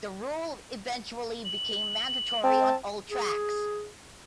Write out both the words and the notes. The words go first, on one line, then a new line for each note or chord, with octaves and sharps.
The rule eventually became mandatory on all tracks.
F#7
C4 A5
G#4